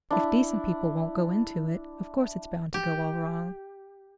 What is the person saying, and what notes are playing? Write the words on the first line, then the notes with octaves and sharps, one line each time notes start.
If decent people won't go into it, of course it's bound to go all wrong.
D4 E4
G4